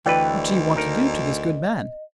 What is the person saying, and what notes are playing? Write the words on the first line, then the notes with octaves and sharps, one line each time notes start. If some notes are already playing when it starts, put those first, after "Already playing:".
What do you want to do to this good man?
D2 E3 B4 D5 D#5 G5
D#4 A#4